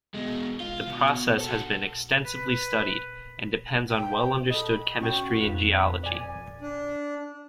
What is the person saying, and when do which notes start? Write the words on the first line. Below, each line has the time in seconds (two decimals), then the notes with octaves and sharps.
The process has been extensively studied and depends on well-understood chemistry and geology.
0.14 B2 G#3
0.60 F4
0.88 B2
1.40 F#4 A4
2.25 B4
3.89 G5
4.50 A4 D#5 B5
5.00 C#4 F#4 G5 C#6
5.39 F2 F4 B4
6.03 D5 G#5
6.62 D4